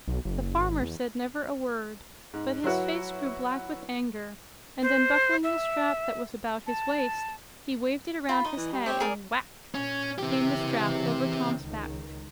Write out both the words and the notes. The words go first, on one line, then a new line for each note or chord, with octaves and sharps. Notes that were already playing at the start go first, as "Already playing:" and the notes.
The farmer said never a word, but his face grew black with anger, and, unbuckling the strap that was about his waist, he waved it around his head, and whack! came the strap over Tom's back.
B1
F#1
G#1
E2
G#2
F#3 E4 F#4 B4
C5
E5
A5
F4 B5
D#4 D#5
E3
G3
C4 G4 C#5
G#4 A#4 D5
A#2 C#4
C#3 E3 C4 G4
C#2 D#3